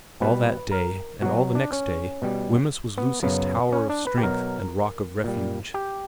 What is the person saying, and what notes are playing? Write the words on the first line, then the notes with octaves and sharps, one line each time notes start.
All that day and all the next day Wemyss was Lucy's tower of strength and rock of refuge.
B2 G3 B4
A#4
B2 F#3 F#4
D4
C#4
B2 G3
B3
F#2 C#3 F#3 B3
C#4
D4
B4
G4
B2 F#3 A#4
A#2 G3
G4